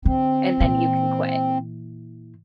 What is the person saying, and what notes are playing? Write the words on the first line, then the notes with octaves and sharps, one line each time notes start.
and then you can quit."
D3 C4
A#2 E3